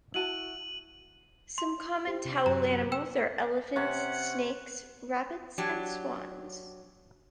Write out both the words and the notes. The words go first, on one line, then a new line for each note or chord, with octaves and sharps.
Some common towel animals are elephants, snakes, rabbits and swans.
E4 F#4 A5 D#7 F#7
C6
G4 C5
C3
F#2 A#5
G5 E6 E7
C3 C#4 F#5
F#3 D4 G4